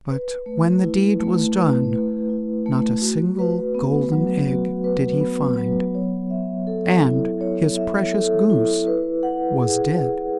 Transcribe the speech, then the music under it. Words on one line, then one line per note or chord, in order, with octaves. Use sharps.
But when the deed was done, not a single golden egg did he find, and his precious Goose was dead.
B4
A3
E4
A3
B4
A3
E4
A3
F#4
B4
B3
F#3
F#4
B4
B3
F#3
C#5
E5
A4
E4
C#5
E5
A4
E4
B4
F#5
G#4
E4